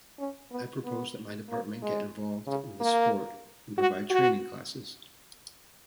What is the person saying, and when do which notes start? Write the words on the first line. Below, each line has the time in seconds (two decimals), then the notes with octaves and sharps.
I propose that my department get involved in this sport and provide training classes.
0.19 C#4
0.52 B3
0.85 B3
1.49 A#3
1.82 G#3
2.47 C#3
2.80 A#3
3.78 F#4
4.10 F#4